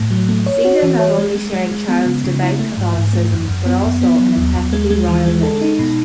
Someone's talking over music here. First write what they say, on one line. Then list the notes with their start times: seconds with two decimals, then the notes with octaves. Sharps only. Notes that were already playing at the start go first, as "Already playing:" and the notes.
Zita not only shared Charles' devout Catholicism, but also an impeccably royal lineage.
Already playing: A2 A3
0.11 F#3
0.29 A3
0.46 C#5
0.65 F#4
0.83 E3
0.99 C#5
1.18 G#3
1.35 G#3
1.53 G#3
1.71 G#3
1.88 B3
2.06 C#3
2.24 C#3
2.42 E4
2.59 A3
2.77 G#2
2.96 G#2
3.13 A3
3.31 F#2
3.48 F#2
3.66 B3
3.84 F#2
4.02 B3
4.20 F#3
4.37 D#2
4.55 D#2
4.73 G#3
4.90 G#3
5.08 E3
5.26 G#3
5.43 A4
5.61 D#4
5.79 B2